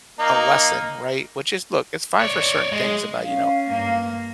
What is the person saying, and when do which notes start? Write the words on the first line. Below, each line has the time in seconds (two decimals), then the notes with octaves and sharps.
a lesson, right, which is look, it's fine for certain things about you know,
0.19 A#3 D#4
2.19 C#5 D5
2.72 G#3
3.23 C#4 F5
3.69 G2 A#3